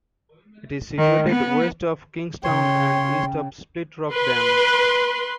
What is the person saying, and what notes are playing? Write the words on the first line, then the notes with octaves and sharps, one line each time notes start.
It is situated west of Kingstown and east of Split Rock Dam.
D#3
B3
C#3 C#5 G5 C6
B4 C6